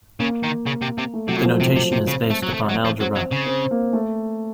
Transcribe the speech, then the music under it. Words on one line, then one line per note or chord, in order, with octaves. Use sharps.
The notation is based upon algebra.
C#3 A#3
D#3
C#3
C3
C3
A3
C3 F#3
A#2
F3
C3 C4
C3
C3
C#3 C4
A3
F#3
A3
F#3
F3
F#3 C4
F#3
C#3
C4
A#3
A3